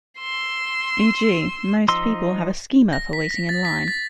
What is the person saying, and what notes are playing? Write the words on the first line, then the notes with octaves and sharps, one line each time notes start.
E.g., most people have a schema for waiting in line.
C6 E6
F3 D#4 C6 E6
A#6
B6
A#6
A6
B6
A6